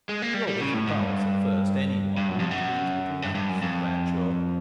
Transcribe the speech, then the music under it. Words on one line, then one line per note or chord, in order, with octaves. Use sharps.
We always repulse, at first, any one who intervenes between us and Bradshaw.
G#3
A#3
G3
G3
C#3
A2
G#2
G2
G2
F#2
F2
F#2
G2
G2
F#2
F2